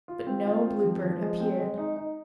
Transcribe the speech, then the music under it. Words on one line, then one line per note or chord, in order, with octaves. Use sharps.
But no Blue Bird appeared.
F4
C4
F4
C4
F3
F3
G#3
C4
G#3
D#4
D#4